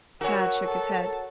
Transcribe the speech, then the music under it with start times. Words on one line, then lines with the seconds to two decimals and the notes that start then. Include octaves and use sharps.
Tad shook his head.
0.21 F#4 A#4 C#5 G#5
0.64 A4